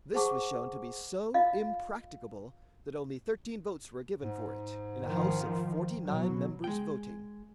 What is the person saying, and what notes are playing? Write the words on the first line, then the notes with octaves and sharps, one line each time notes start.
This was shown to be so impracticable that only thirteen votes were given for it in a House of forty-nine members voting.
G#4 C5 F#5 A5 C#6 D6
F4 D#5 F5
G#2
D#3 F3
B2 F#3
G#3 G5